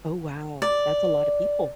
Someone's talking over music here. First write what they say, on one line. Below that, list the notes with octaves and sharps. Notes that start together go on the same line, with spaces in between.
Oh, wow, that's a lotta people.
D5